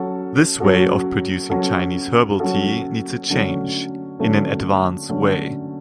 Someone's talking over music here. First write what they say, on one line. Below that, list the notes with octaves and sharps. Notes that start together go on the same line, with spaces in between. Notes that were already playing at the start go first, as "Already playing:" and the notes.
This way of producing Chinese herbal tea needs a change, in an advance way.
Already playing: F#3 C#4 F#4 A4
F#3 C#4 F#4 A4
F#3 C#4 F#4 A4
F#3 C#4 F#4 A4
D3 F#3 A3 C#4
D3 F#3 A3 C#4
D3 F#3 A3 C#4